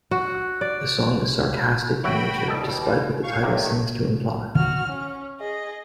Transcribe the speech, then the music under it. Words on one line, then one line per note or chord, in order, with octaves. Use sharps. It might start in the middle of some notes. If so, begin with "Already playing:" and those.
The song is sarcastic in nature despite what its title seems to imply.
F#4
D5
F#4 C#5 E5 F#5 G5 B5
D#2 B2 G3 A4 D#5 A5
A#2 F5 C#6
A1 G2 D#3 F#3 A3 A#3
F#4 F6
C#4
G#4 D#5